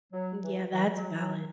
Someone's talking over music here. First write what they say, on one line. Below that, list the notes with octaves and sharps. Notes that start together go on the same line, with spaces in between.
yeah, that's valid,
F#3
E3
E3
F#3
F#3